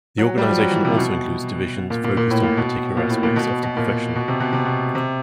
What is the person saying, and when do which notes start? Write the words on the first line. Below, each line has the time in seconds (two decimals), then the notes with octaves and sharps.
The organization also includes divisions focused on particular aspects of the profession.
0.18 F#3
0.38 G3
0.50 F3
0.58 F#3
0.71 E3
0.85 C3
0.97 B2
1.90 A#2
2.04 A#2
2.17 A#2
2.30 A2
2.43 A#2
2.57 B2
2.97 A#2
3.10 A2
3.23 A#2
3.36 B2
3.63 B2
3.77 A#2
4.15 B2
4.28 C3
4.40 B2
4.53 C3
4.65 B2
4.95 C3